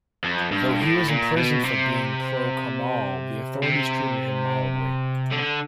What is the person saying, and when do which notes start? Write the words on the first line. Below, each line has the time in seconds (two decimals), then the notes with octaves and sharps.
Though he was imprisoned for being pro-Karmal the authorities treated him mildly.
0.24 F2
0.52 G2
0.80 A2
1.09 A#2
1.37 B2
1.64 C3
3.63 C3
5.31 D3